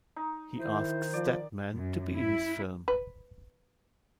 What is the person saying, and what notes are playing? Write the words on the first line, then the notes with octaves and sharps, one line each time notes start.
He asked Steadman to be in his film.
D#4
D#3 E4 C5
F3 D5
F#2
E4
B4